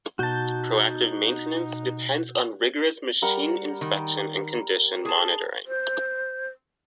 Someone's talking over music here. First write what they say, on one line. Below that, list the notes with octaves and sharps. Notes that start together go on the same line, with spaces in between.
Proactive maintenance depends on rigorous machine inspection and condition monitoring.
B2 D#4 F#4 A5 G6
G3 A#4 F#5
D#3
G#4 A5
C5